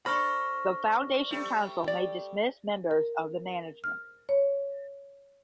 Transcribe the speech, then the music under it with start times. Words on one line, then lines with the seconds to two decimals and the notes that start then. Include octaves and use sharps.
The Foundation Council may dismiss members of the management.
0.06 D4 A4 C5 B5 C#6 F6 A#6
1.30 G3 A3
1.88 D5
2.91 A#4
3.84 F6
4.29 C#5